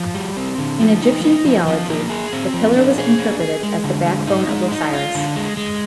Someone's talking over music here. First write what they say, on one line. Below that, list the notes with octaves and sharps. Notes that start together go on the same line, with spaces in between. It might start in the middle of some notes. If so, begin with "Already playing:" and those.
In Egyptian theology, the pillar was interpreted as the backbone of Osiris.
Already playing: F3
G3
C4
D3
F3
D#4
D#4
F3
F3
A#3
G#4
C4
F3
D4
G#4
D4
G#4
G#3
D3
G#3
D#4
G#3
D#4
F4
D3
G#3
G#3